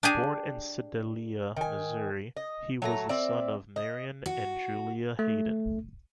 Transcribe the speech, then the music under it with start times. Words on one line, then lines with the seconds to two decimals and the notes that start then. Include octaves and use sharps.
Born in Sedalia, Missouri, he was the son of Marion and Julia Hayden.
0.03 D4 G4 G#4
1.56 D#3 G#5
2.37 D#5
2.82 F#3 A3 A#5
3.09 C4 D5 E5
3.76 D#5
4.26 F#4
5.19 A3